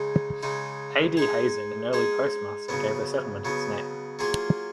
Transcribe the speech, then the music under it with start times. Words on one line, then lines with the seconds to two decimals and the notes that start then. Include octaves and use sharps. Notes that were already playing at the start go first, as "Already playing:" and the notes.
A. D. Hazen, an early postmaster, gave the settlement its name.
Already playing: C#3 G#3 D#4
0.43 C#3 G#3 D#4
1.17 G#3 D#4 G#4
1.93 G#3 D#4 G#4
2.69 C#3 F#3 B3
3.45 C#3 F#3 B3
4.19 F#3 A#3 F4 G#4